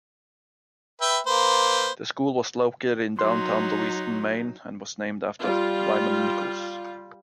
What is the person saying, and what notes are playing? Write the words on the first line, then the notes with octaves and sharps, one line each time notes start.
The school was located in downtown Lewiston, Maine, and was named after Lyman Nichols.
B4 E5 G5
A#3 B4 C5
F#3 D#4 C6
G3 F4